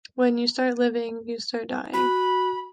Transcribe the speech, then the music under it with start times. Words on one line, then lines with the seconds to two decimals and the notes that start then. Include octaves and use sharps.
When you start living, you start dying.
1.94 F#4 B5